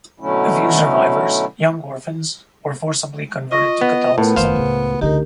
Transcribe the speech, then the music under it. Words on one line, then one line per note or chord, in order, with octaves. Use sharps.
The few survivors-young orphans-were forcibly converted to Catholicism.
B2 D3 F#3 A3 C#4 E4
F4 D#5 C#6 A#6
B3
A2 A3 B3 A#4
F#1 D#3 C5 F5
C#2 A2
C#2 D3 D#4 G4 A#4